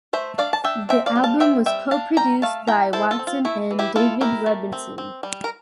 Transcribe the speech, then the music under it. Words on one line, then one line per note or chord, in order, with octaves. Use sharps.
The album was co-produced by Watson and David Rubinson.
A3 C5 E5
D4 D5 F5
A5
D4 E5 G5
C4 E5 G5
D5 F5
G3
F5 A5
C4 E5 G5
G3 E5 G5
D4 F5 A5
G3 G5 A#5
A3 F5 A5
E4 G5 A#5
E4 A4 C5
F4 A4
C4
F4
A3 E4
E3
E4 G4
E4 F4 A4
E4 G4 A#4
A3
C4
C4
G3
A#4